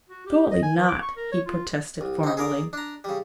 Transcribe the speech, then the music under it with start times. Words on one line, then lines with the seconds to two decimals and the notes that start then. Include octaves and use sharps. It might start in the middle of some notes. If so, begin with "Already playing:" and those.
'Surely not!' he protested formally.
0.09 F#4
0.26 G4
0.51 D#5
0.63 G#5
0.77 E3
0.88 D6
1.02 C#6
1.16 A#4
1.32 C#5
1.46 F4
2.01 C2
2.23 C4 D#4
2.37 G#4 A#4 D5
2.73 D4 A#5
3.04 C#3 G3